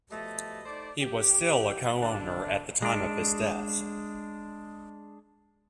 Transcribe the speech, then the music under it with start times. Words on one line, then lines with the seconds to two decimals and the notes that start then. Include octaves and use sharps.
He was still a co-owner at the time of his death.
0.11 B2 F3 G3 A3 D#5 A5
0.66 A3 D#4 C5 D5
1.02 G4
2.01 D3 D4
2.82 G#3 D4